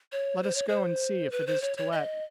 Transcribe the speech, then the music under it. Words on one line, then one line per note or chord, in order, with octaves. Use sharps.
"Let us go and see if it is to let."
C#5
C5
C#5
C5
B4
C5
C#5
C#5
D#5